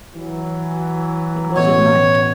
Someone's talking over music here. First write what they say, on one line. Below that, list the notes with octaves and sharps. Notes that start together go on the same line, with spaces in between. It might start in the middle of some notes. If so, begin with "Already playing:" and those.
It was at night.
E3 F#3
A1 B2 C#5